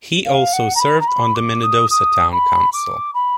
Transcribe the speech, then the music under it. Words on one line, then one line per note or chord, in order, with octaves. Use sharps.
He also served on the Minnedosa town council.
F5
F#5
A#5
B5
A#5
B5
D6
D#6
D#6
B5
D6
B5